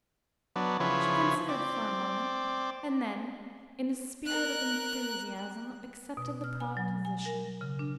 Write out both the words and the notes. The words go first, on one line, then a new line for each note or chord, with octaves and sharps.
She considered for a moment and then, in a spirit of enthusiasm, accepted the proposition.
F#3 B3 D4
C#3 F3 E4 B4 C#5
C4 D5
A#4 F#6
B2
F6
G#5
F#3
G#5
A#4
C#3
D4